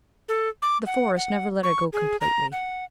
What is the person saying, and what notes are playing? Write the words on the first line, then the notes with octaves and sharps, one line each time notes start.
The Forest never let her go completely.
A4
D6
F#5
F#5
C#6
G#4
A#5
F#5